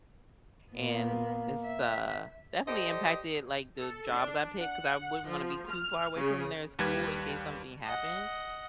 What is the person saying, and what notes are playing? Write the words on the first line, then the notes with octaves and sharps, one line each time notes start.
And, it's, uh, definitely impacted, like, the jobs I picked 'cause I wouldn't want to be too far away from their school in case something happened.
A#2 A#3 B3
E5
G4 A4 C5 D5 D#5
A4
D4
F#5
F3
F6
C#3
D#2 G3 B4 G#6
D#5 F#5